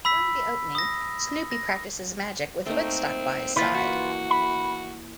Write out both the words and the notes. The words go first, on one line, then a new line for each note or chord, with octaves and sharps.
During the opening, Snoopy practices magic with Woodstock by his side.
B5 E6 B6
D#6 A#6
A#6
A3 A#3 C4 D#4
E3 F3 A#3 F4 B4 C#6
F#4
B5